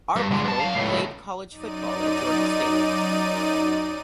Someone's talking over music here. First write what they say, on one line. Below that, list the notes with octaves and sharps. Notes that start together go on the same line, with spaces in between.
Arbuckle played college football at Georgia State.
G2
D3 G#3
G2 A5
F#2 F5
C#2 A2
F#2 D#4 D5 D#7